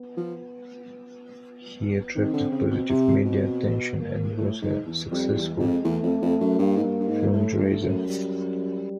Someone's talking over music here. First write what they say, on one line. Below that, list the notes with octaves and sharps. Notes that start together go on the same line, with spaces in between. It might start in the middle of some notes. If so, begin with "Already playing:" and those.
He attracted positive media attention and was a successful fundraiser.
Already playing: B3
F3
D#3 C4
D3
C#3
B2
C3
B2
B3
A#3
A2
G#2
E2
F2 G3
E2
G#3
F2
E2 A3
F2
F2
F#2
G2 A#3
G#2
G2
G2
G#2
A2 A3
G2
F#2
G3